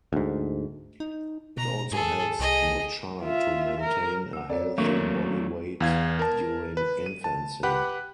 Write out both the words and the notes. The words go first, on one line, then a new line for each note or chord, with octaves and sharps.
It also helps the child to maintain a healthy body weight during infancy.
D2 G#2
D#4
B2 A#5
G#2 G#4 A4
C2 G#4 D#5
F4 E5
A#4
F#5 E6
C4 A4 C#5 D5
D#3 F#3 A3 A#3 C4 D4 C#6
E2 F5 G#6
A#4 A5
B4
D#7
A5
G4 B4 F#5 B5 F#6